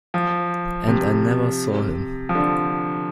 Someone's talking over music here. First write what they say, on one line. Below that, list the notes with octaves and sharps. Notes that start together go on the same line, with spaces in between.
And I never saw him!
F3
C3
F3
D3